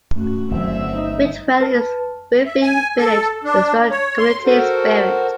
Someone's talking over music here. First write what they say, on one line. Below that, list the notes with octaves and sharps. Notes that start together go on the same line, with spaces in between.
Whitwell is a thriving village with strong community spirit.
A3 C#4 F#4
G1 E3 F#3 C4 E5
D#4
B4 A5
E5
G#5
A4
D4
C#5
C6
F#4 A4 A#4 C5